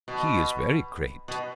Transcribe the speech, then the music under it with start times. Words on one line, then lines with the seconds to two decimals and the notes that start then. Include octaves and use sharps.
He is very great.
0.08 B2
1.28 B2